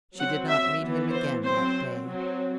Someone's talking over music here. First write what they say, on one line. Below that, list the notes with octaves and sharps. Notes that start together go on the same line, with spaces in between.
She did not meet him again that day.
F#3 C4 F#5
E5
E3 B3
C5
F#3 C4 C5
F#3 C4